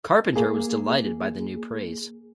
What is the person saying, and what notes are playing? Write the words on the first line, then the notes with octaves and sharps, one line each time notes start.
Carpenter was delighted by the new praise.
A#3 G#4